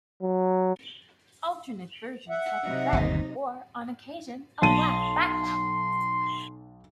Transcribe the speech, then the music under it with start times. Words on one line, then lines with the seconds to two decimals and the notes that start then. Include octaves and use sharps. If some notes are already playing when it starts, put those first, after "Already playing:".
Alternate versions had a red or, on occasion, a black background.
0.22 F#3
2.30 E5 F#5
2.63 C3 F#3 D#4
2.93 G1 D#2 B2
4.62 B1 A5 C6 D#7